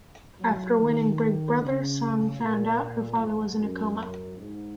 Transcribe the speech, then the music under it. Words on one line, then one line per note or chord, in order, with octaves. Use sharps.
After winning Big Brother, Song found out her father was in a coma.
F#3
D#3
C#3
A#2
G#2
F#2
G#2